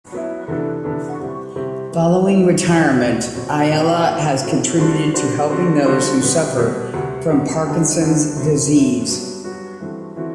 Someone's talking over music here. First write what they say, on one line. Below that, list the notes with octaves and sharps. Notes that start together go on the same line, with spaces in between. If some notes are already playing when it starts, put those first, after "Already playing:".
Following retirement, Ayala has contributed to helping those who suffer from Parkinson's disease.
F#3 B3 E4
C3 E3 B3 D4 A4
C3 E3 B3 D4 A4
C3 G3 C4 E4 G4
C3 G3 C4 E4 G4
E3 B3 E4 B4
E3 B3 E4 B4
D2 C3 F#3
D2 C3 F#3
B2 F#3 C4 F#4
B2 F#3 C4 F#4
A2 F#3 A3
A2 F#3 A3
D3 G3 D4 F#4 C5
D3 G3 D4 F#4 C5
D3 G3 C4 F#4 C5
D3 G3 C4 F#4 C5
B2 G3 B3
B2 G3 B3
D2 C3 G3
D2 C3 G3
D2 D3 G3 B3 D4
D2 D3 G3 B3 D4
F#2 F#3 A3 C4
F#2 F#3 A3 C4
G2 F#3 B3 F#4
G2 F#3 B3 F#4
G2 E3 A3 C4 F#4
E3 A3 C4 F#4